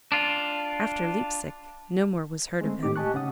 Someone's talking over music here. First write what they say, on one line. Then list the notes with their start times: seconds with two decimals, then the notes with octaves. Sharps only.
After Leipsic no more was heard of him.
0.12 D4 F4
2.61 G#3 A3 C4
2.83 A2 D#4 G4 D6
2.96 G4 D#5 G#5 A5 C#6 F#6
3.14 C#3 C#4 F#5 D#6